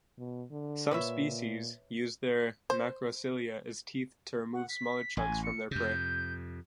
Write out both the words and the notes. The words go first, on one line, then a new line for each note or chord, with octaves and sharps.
Some species use their macrocilia as teeth to remove smaller chunks from their prey.
B2
D3
A#2 B4 C#5 E5
C5
F#5
B6
A1 G#5
C#7
F2 C3 G6